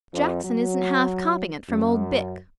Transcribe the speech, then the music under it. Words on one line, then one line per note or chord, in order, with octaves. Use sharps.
'Jackson isn't half copping it from old Bick.'
F2
F#3
F#2